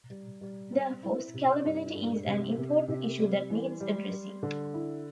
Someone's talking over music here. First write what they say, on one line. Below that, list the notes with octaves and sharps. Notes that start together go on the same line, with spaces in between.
Therefore, Scalability is an important issue that needs addressing.
G3
G3
C4
E4
C3
G2
G2
C3
C3
C3
G3
E3
G3
G3
D3
E4